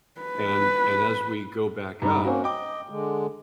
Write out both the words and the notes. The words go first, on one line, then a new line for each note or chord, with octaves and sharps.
and and as we go back up,
B4
G2 D#4
A#3 C4 C#4 F#4
D#5 G5 D6
D3 G#3